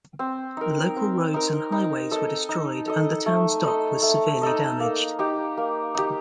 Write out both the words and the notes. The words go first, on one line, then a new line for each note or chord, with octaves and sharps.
Local roads and highways were destroyed and the town's dock was severely damaged.
C4
D#4 A#4
C4
D#4 A#4
D#4
A4 D#5
D#4
A4 D#5
A3
D#4 A4 D#5
A3
D#4 A4 D#5
A#3
D#4 G4
A#3
D#4 G4